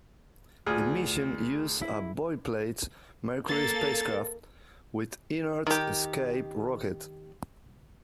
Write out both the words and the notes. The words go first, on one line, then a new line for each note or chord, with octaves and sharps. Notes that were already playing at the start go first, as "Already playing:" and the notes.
The mission used a boilerplate Mercury spacecraft, with inert escape rocket.
D2 D3 F4 G#4 D#6
E4
A#3 A4 A6
D#3 G4